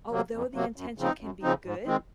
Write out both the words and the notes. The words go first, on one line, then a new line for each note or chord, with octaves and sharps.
although the intention can be good,
C3 F#3 A#3
F2
C3 F#3 A#3
F#2
C#3 F3 C4 D#4
F#2
C#3 F3 C4 D#4
G#2
D#3 G#3 C4